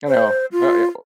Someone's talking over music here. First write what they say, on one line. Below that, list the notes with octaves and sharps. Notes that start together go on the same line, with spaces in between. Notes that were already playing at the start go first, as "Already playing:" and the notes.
you know, uh yeah, well
C5
F4